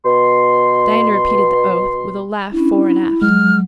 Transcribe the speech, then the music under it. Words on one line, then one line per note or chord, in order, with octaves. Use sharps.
Diana repeated the "oath" with a laugh fore and aft.
B2 C6
C#4 D4 E4
F#3 G#3 F6